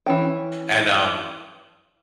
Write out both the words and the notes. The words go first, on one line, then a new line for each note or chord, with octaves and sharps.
and, um,
E3 C#4 G5